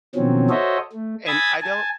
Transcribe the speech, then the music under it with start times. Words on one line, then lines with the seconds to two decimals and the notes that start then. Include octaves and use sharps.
and I don't
0.15 B2 D#3 F3 F#3 C4 C#4
0.49 F#4 A4 C5 C#5 D#5 E5
0.92 A3
1.27 G#5 B5 D#6 E6 G#6 A6
1.62 G#5 A5